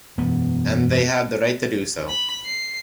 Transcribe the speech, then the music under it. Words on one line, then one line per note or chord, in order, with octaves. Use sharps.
And they have the right to do so.
E1 F#2 B3
B5
C7